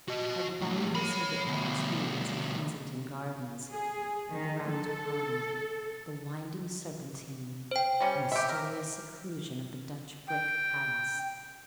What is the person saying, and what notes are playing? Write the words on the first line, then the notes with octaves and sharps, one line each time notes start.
How boundless are the opportunities of Kensington Gardens--the Round Pond, the winding Serpentine, the mysterious seclusion of the Dutch brick Palace!
F#4 D#5
A2 F3
C#5 B5
D2 B2
G#4
D#3
A4
C5 G5
G3 C#4
G4 E5
A#4
G5